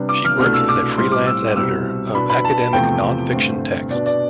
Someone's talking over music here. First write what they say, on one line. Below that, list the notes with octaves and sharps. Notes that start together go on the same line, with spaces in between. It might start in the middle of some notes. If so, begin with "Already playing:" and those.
She works as a freelance editor of academic non-fiction texts.
Already playing: C3 G3 B3 D4
D6
F6
C2 B2 A3 D4 F6
E6
D6
A2 G3 C4 C6
D6
E6
C2 B2 G3 C4 E6
B2 B3 D4 B5
B5
A5
E2 C3 F3 A3 G5
G2 D3 A3 C4
B2 B3 D4 D5
D5